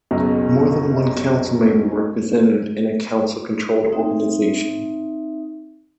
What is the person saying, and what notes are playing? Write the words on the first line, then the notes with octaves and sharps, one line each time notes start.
More than one council may be represented in a council-controlled organisation.
F#1 B1 B2 F#3
C4 D#4 E5